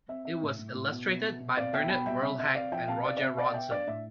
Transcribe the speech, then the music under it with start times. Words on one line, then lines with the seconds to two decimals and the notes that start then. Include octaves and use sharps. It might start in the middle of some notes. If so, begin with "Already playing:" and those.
It was illustrated by Bernard Verlhac and Roger Ronsin.
0.08 C4 E5
0.25 C4 E5
0.42 A2
0.59 A2
0.75 A2
0.92 B2
1.07 B2
1.24 B2
1.40 B2
1.57 C4 D5 F5
1.73 B2 E5 G5
1.89 B2 G5 B5
2.06 G3 E5 G5
2.23 C3 E5
2.38 C3 E5
2.55 C4 D5 F5
2.72 F3 E5 G5
2.88 C3 F5 A5
3.05 C4 D5 F5
3.17 D5
3.21 C3 E5
3.37 C3 D5 F5
3.54 B3 E5 G5
3.70 D4 D5 F5
3.87 A2 E5